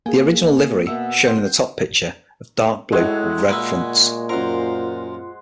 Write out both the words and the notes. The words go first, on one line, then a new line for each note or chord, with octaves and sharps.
The original livery, shown in the top picture, of Dark Blue with Red fronts.
A#3 G#4 G5 G#5
B2 A#4 E5 E6
C4 C5 C6 G6
A2 G#3 E4 F#4 C#5
A#2 A#3 B4 E5 F#5
F#2 F4 A#4 C5 F#5